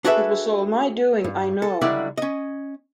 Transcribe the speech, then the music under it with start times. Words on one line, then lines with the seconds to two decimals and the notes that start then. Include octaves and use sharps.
It was all my doing, I know.
0.04 D4 F#4 G#4 A4 B4 E5
1.24 G2
1.62 A4
1.81 C#2 D3 F#3 G3 E4 D5
2.18 C#4 D#5